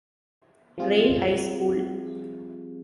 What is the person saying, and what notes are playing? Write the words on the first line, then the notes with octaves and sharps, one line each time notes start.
Ray High School.
F3 G3 C4 F4 G4 G#4